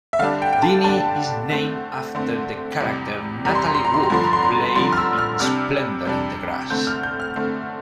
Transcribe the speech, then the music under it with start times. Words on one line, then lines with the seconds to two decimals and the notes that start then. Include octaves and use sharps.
Deenie is named after the character Natalie Wood played in "Splendor in the Grass".
0.13 E5
0.19 D3 F5
0.22 G3 D4
0.42 G5
0.53 G5
0.62 A5
0.84 D3 G3 D4 A5
1.50 D3 A3 C4
2.15 D3 A3 C4
2.81 E2 C3 G3
3.45 E2 C3 G3 A#5
3.55 C6
3.64 A#5
3.75 C6
3.85 A#5
3.94 C6
4.03 A#5
4.10 G2 D3 F3 C6
4.24 A#5
4.33 C6
4.43 A#5
4.75 G2 D3 F3 C6
4.93 F6
4.97 E6
5.18 F6
5.40 C3 G3 D4 F6
6.05 C3 G3 D4
6.70 D3 A3 C4 G6
6.87 F6
7.03 G6
7.20 F6
7.36 D3 A3 C4